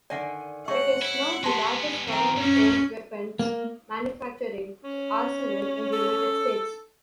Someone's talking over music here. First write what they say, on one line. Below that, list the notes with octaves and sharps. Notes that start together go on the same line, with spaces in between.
It is now the largest government-owned weapons manufacturing arsenal in the United States.
D3 D#3 D5 E5 F#5 G#5
A3 G#4 C#5 D#5 E5 F#5 C#6
E4
G#3 B3 G4 A5 C6
D#3 F3 A#3 C4 A#5
F#2 A#2 C#4
A#3
C#4
A4